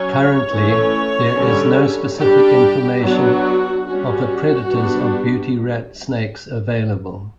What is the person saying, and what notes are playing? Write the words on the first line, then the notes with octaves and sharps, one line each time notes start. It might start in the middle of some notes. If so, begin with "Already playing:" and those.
Currently, there is no specific information of the predators of beauty rat snakes available.
Already playing: F#3 C#4 C#5
E3 A3 C#4
D3 G3 C#4
G3 D4 G4
F#3 B3 D4 F#4
G3 C#4 F#4
G3 B3 D4